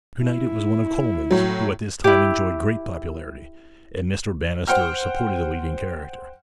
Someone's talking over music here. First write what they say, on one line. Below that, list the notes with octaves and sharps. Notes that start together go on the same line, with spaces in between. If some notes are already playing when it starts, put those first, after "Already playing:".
To-night it was one of Colman's, who at this time enjoyed great popularity, and Mr. Bannister supported the leading character.
E4
A2 F#3
E4 G4
C5 F#5 G5 F6